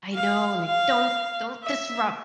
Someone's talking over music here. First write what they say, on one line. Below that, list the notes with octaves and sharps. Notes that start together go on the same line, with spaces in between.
I know, like, don't don't disrupt
F5
F5
E5